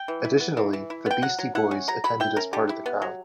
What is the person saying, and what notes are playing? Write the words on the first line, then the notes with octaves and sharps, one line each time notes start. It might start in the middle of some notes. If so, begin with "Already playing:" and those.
Additionally, the Beastie Boys attended as part of the crowd.
Already playing: G5
E3
E4
B3
E3
E3
E4
B3 G5
F#3 F#5
F#3
E4 F#5
C#4
F#3 A#5
F#3 B5
E4 G5
C#4 A#4
D3 G4
E4
B3
F#3